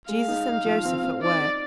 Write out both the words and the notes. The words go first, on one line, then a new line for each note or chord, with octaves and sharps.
Jesus and Joseph at work!
G#3 F5
D#4
D#4
F3
C4
C4
D#4 D5
D#4